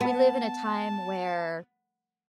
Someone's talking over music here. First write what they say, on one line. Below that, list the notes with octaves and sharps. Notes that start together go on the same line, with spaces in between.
we live in a time where,
B3 A5